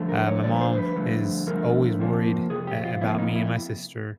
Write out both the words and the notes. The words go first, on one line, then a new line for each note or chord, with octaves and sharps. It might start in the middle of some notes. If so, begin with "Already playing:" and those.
uh, my mom is always worried, eh, about me and my sister.
Already playing: G2 D3 F3 A3
A#4
C#5
G2 D3 F3 A3 D5
B4
C5
B4
G2 D3 F3 A3
G2 D3 F3 A3 A#4
F2 C3 F3 A#3
F2 C3 G#4
G4
F4
F2 C3 F3 A#3 E4
D#4
E4